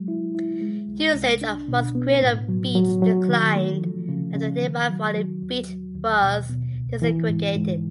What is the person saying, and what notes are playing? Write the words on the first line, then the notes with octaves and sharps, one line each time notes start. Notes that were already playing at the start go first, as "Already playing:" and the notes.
Usage of Mosquito Beach declined after nearby Folly Beach was desegregated.
Already playing: F#3 G#3
E4
E4
G#3
C2
C2
D4
B2
B3
A2
F#3
F#3
F#3
D#3
A3
F3
C#3
C#3
D#3
F#3
F#3
D#2
F#3
D#2
B2
B2
C#2
E3
G#2
G#2